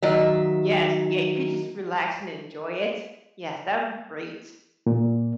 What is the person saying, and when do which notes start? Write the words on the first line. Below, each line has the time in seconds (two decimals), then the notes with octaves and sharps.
Yes, yeah, you could just relax and enjoy it. Yes, that would be great.
0.03 D#3 F#3 E5
4.86 A#2